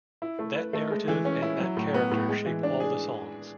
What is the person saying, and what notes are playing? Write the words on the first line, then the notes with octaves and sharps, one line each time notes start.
That narrative and that character shape all the songs.
E4
A3
B4
A3
G#3
E3
C#4
E4
F#3
A2
B3
A2
G#3
E3
D4
G#4